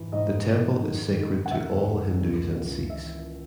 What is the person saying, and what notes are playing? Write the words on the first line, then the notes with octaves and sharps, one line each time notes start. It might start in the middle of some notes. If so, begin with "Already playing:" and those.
The temple is sacred to all Hindus and Sikhs.
Already playing: G#2 E3
G#2 D#5
E3
D#3
D#3
F#5
D#2 E5
D#2
C#2
C#2
E3 E5